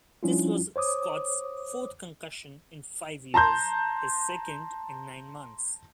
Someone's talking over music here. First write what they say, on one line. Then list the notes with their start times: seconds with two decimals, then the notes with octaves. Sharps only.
This was Scott's fourth concussion in five years, his second in nine months.
0.23 F3 G3 C#4 D4 E4 F4
0.76 C5 C#5 D6 D#6
3.34 A5 A#5 C6 G6